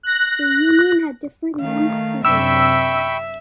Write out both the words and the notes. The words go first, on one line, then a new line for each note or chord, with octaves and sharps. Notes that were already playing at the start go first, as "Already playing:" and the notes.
The Union had different names through the years.
F#6 A#6
D#3 A3 F5
F#2 C3 D4 E5 G5 B5 C#6 E6